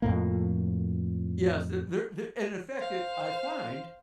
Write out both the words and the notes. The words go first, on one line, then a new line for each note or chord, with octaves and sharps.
Yes, there there in the fact that I find,
F2 A2 A#3
C5 F5